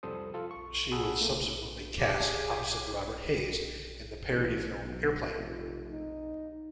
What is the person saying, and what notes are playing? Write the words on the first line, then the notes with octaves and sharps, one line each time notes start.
She was subsequently cast opposite Robert Hays in the parody film, "Airplane!".
C2 F2 G3 A4 C5 D#6
F4 A4
C#6
G#4 F#5 A5 B5 D#6 E6
A3 A#3
G4 G#4 C#5 D6
A1
B1
F1
D#4